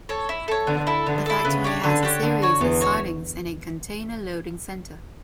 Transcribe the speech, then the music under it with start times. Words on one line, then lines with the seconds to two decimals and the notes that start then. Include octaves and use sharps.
The factory has a series of sidings and a container loading centre.
0.09 A4 C#5
0.29 E4
0.48 A4 C#5
0.67 D3 B3
0.87 E4 A4
1.06 D3 B3
1.26 E4 A4
1.45 C#3 B3
1.64 D4 G4 C#5
1.84 D3 B3
2.03 D4 G4 C#5
2.22 D3 B3
2.42 F#4 C#5
2.61 E2 E3 B3
2.81 F#4 C#5